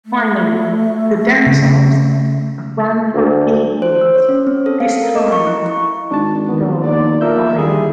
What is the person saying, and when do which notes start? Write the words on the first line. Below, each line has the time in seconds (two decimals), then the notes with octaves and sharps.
Finally, the dance-offs, ran for eight weeks, this time though live.
0.06 A3
1.46 C#3
3.14 D2
3.82 C5
4.01 E6
4.15 C#5
4.29 C#4
4.47 C4
4.66 A4
4.80 F5
5.02 A#4
5.15 D#5
5.32 C#6
5.47 E4
5.66 C#6
6.11 G#1 D4 A5
6.49 D#3 B3
6.82 D#2 D3 F#3 D5
7.21 A#2 E4 F4 A4 A#4 E5 G6
7.58 D#2 D3 G3 G#4